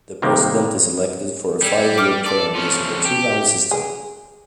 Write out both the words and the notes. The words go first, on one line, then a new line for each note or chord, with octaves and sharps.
The President is elected for a five-year term using the two-round system.
C3 D#3 G3 A#3
G3 A4 C#5
D6 F6
A4 D5 C6
F3 C#4
G4
G#4